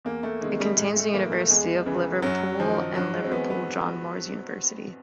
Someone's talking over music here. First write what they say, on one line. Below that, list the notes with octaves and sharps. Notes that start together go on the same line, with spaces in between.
It contains the University of Liverpool and Liverpool John Moores University.
E2 A#3
A3
C3 D#3 G#3
G3
A2 G#3
A3
E3 A#3
A3
E2 G#3
C#3 E3
F#2 F#3
D#3 F3
G2 F#3
G#3
C4
E3 B3
B3